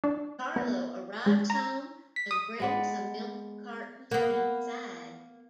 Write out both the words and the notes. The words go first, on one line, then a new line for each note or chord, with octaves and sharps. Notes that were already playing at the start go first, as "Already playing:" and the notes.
Carlo arrives home and brings the milk cartons inside.
D4
B3
G#3
A#5
B6
D#6
G#3 B3 D5
A#3 B3